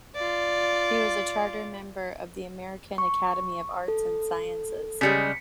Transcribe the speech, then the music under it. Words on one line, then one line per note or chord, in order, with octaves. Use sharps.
He was a charter member of the American Academy of Arts and Sciences.
F4 D5
C#6
A4
C#3 G3 G#3 B6 C#7